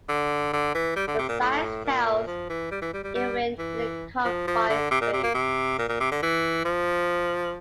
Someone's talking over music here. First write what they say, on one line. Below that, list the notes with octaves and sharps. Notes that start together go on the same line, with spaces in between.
But science tells, even in a confined space.
D3
D3
E3
G3
D3
C3
A#2
A2
A#2
F3
E3
G3
E3
G3
G3
G3
E3
F3
F3
D3
C3
A#2
C3
A#3
C3
A#2
A#2
C3
D3
E3
F3